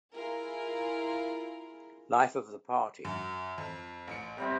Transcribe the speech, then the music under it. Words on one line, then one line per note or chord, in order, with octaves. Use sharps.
"Life of the Party".
E4 F4 G#4 A#4
F#2
F2
A1 C#7
C3 G3 C4